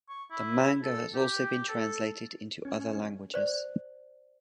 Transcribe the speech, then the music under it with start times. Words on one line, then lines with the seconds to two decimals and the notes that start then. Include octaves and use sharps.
The manga has also been translated into other languages.
0.10 C#6
0.32 E4
0.83 A4
1.15 G4
1.69 A4
2.65 C#4
3.34 C5 D5